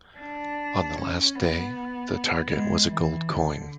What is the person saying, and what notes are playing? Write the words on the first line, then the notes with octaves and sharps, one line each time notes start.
On the last day, the target was a gold coin.
D4
C#4
B3
G#3
E3
D3